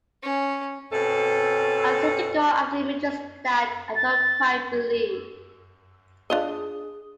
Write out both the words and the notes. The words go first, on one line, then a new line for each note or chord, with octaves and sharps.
I seem to go after images that I don't quite believe.
C#4
B2 C4 C#4 A4
A6
D4 F4 G#4 D#5